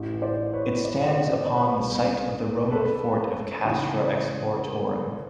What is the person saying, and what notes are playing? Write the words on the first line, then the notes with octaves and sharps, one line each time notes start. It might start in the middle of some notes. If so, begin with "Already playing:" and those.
It stands upon the site of the Roman fort of Castra Exploratorum.
Already playing: A1 A2 E3
C5 D5
B4 C#5
C#5
C5 D5
D#5
C5 D5
D#5
C5 D5
C5
B4 C#5
C2 B2
A4 B4
D#2 C#3 E3
A#4